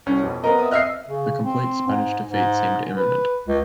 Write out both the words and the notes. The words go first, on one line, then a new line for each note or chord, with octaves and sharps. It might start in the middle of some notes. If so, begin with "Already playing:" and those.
The complete Spanish defeat seemed imminent.
C2 C#4
F2 B2
B3 C4 A#4 D#5 A#5
E5 D#6
D#5 E5 F6 F#6 C7
C#3
C4
G#2
G#2
B4
C#2